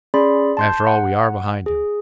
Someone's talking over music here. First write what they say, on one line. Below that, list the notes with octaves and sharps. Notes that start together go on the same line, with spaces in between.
After all, we are behind him.
C#4 G#4 D5 B5 C6
A5 C6 G6
F#5
G#4